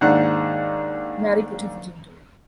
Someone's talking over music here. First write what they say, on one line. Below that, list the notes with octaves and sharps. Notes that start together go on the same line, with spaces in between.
Mary put her foot into it.
D#2 G#2 D4 F#5